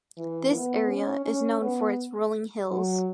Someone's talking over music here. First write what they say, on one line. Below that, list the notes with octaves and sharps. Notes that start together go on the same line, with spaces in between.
This area is known for its rolling hills.
E3
B3
C#4
C#4
B3
F#3